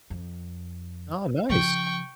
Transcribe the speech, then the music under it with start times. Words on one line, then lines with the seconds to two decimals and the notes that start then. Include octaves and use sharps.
Oh, nice.
0.10 F2
1.50 C#3 F3 G5 C#6